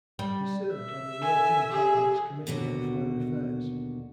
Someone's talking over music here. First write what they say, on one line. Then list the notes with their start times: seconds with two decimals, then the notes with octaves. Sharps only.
He served on the European Parliament's Committee on Foreign Affairs.
0.19 G3
0.74 E5
1.22 A4 G#5
1.71 G4 G#4
2.47 D#2 B2 D3 F#4